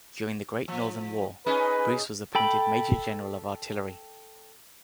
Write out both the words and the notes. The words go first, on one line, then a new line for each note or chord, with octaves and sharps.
During the Great Northern War Bruce was appointed major-general of artillery.
F3
C#4 D#4 G#4 B4
A4 G5 B5